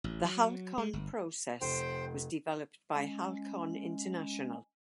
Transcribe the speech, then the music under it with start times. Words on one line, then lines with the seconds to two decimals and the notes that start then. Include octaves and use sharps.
The Halcon process was developed by Halcon International.
0.04 A1
0.25 F#3
0.78 G#3
0.93 G1
1.61 F1 C5 G5
2.94 G#3 C#4